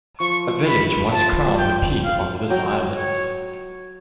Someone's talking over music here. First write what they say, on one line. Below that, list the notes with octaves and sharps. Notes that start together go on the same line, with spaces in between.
A village once crowned the peak of this island.
F3 C#6
B5
F3 A5
G5
F5
F#3 G5
C#5